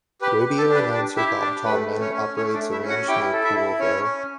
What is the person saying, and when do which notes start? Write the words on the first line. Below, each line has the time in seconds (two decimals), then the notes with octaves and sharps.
Rodeo announcer Bob Tallman operates a ranch near Poolville.
0.21 G4 B4
0.39 B4
0.45 G4
0.58 A4
0.69 D4
0.75 B4
0.93 D4 D5
1.16 E4 G4 E5
1.40 D4 D5
1.65 A3 B4
1.88 A3
2.01 C#4 C#5
2.12 C#4
2.36 A3 C#4 C#5
2.54 D4 D5
2.60 A3
2.72 E4 E5
2.84 C#4
2.89 F#4 F#5
3.08 E4 G4 G5
3.32 A4
3.44 E4 E5
3.55 E4
3.79 C#4 C#5
4.03 C#4